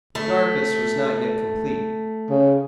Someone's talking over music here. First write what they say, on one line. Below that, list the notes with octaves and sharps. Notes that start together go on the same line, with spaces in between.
The darkness was not yet complete.
A3
C#3